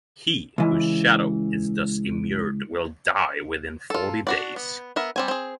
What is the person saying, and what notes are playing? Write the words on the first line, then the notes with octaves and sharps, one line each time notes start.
He whose shadow is thus immured will die within forty days.
C#2 E3
F4 A4
D4 F#4 D5
B3
B3 A#4 E5
G3 C4 G#5
C4 G#4